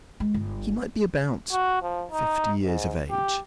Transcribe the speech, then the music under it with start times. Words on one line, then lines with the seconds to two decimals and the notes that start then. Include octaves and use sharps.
He might be about fifty years of age.
0.20 G#3
0.34 G1
1.52 F#4
1.83 F3
2.12 D#4
2.63 G#2
3.11 G4